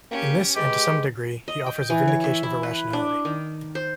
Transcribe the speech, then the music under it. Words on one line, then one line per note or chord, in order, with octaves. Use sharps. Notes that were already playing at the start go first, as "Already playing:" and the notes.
In this, and to some degree, he offers a vindication of irrationality.
A#3 C#4 G4
G#3 G4 B4
D#5
G5
E3
C#5
E5
E4
B4
D4
D#3
C5